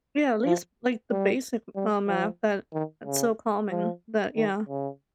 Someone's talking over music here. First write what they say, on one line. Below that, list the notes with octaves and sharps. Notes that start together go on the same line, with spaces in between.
Yeah, at least like the basic, uh, math that is so common that yeah.
F3
G3
G3
F3
D#3
C#3
F3
D#3
C#3